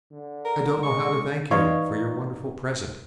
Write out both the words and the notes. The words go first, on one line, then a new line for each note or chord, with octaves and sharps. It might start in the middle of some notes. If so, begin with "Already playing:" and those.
I don't know how to thank you for your wonderful present.
D3
A#4
G#3 C#6
E3 D#4 B4 C#5 D5 F5 C#6